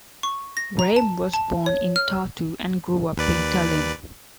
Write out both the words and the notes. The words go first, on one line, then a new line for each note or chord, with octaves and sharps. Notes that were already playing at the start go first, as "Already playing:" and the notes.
Reim was born in Tartu and grew up in Tallinn.
C#6
A#6
A#5
A5
A5
C#5
F6
D#2 B4 D5